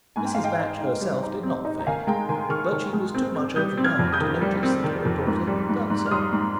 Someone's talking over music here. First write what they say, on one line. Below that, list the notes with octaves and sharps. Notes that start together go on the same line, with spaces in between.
Mrs. Batch herself did not faint, but she was too much overwhelmed to notice that her daughter had done so.
G#2 G#5
G5
G#2 F5
D#5 G5
D#4
D#4
G3
D#4
C4
D#4
A#5
D#3 F5 G#5
G#3 G5 A#5
D#3 G#5 C6
D#3 C#6 F6
D#3
G#3
C4
C4
G3 D#6 G6
C4
F6 G#6
F2
D#6 G6
D#3
G3
C4
D#3
F2
G#2
G3
G#2
G#2
F6
G3 C6 D#6
G#2